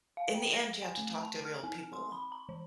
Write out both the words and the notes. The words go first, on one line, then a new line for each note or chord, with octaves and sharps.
in the end, you have to talk to real people.
F5
G5
A#6
G#5
A3
A5
F6
C4
C6
B5
A#5
E3